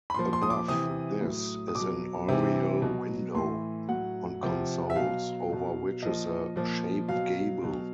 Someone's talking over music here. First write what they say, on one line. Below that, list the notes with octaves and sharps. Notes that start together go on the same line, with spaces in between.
Above this is an oriel window on consoles over which is a shaped gable.
B5
A#2 F3 C6
C6
D#6
D6
C3 E3 D#6
A2 F#3
D#6
B2 F#3 D6
C3 E3
B2 F#3
A2 E3 C6
A2 F#3 F#5
C3 F3
E5
B2 F#3 F5
B2 F#3
A#2 F3 D#5
A#2 F3
B2 F#3 F5
B2 F#3